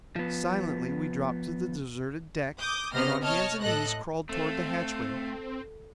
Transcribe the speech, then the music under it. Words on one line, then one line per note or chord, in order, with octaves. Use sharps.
Silently we dropped to the deserted deck, and on hands and knees crawled toward the hatchway.
F3 B3
D6 D#6 G6
C3 B3 C5 D#5 F6 A#6
C#5 D#5 A5 F6
A2 A4 D#5 F#6 A#6
A3 C4 A4 F5